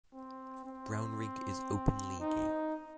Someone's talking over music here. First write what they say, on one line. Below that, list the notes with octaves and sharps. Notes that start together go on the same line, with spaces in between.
Brownrigg is openly gay.
C4
C4
D#4